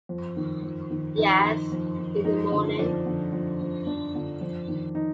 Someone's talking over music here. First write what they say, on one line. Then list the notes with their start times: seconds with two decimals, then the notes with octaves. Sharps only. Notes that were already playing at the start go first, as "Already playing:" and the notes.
Yes, in the morning.
0.09 F2
0.37 D#3
0.63 F2
0.91 D#3
1.18 F2 D#4
1.45 D#3
1.72 F2
1.98 D#3
2.25 F2 D#4
2.52 D3 F3
2.79 F2 D4
3.06 D3 F3
3.33 F2
3.60 D3 F3
3.87 F2 D4
4.14 D3 F3
4.41 F2
4.68 D#3
4.95 D#4